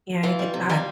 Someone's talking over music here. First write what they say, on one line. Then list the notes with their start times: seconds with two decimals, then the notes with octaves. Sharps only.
Yeah, I get that.
0.23 E3 F4
0.39 G3
0.54 C3
0.69 G3 F4